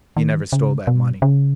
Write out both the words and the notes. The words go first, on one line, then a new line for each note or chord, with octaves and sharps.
He never stole that money.
D#3
C#3
B2
C#3